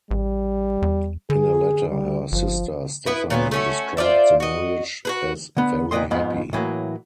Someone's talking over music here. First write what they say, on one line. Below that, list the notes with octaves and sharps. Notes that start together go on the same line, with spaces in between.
In a letter, her sister Stephanie described the marriage as very happy.
A1 G3
E2
D3 G#4
G3
G1 F3
B3 E4 B4
A#2 F#3 A#3 B3
A3 C#4 F#4
F4 C5 D5 E5
F#4 D#5
F#4 G#4 B4
D3 B3
C#2 A#2 B4 D5 D#5 C6
F2 G#2 B3 F4 B5
A2 E3 F#3 A#3